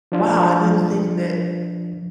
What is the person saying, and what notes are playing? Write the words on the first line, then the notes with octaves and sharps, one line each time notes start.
"Wow, I didn't think that
F3 D4 F4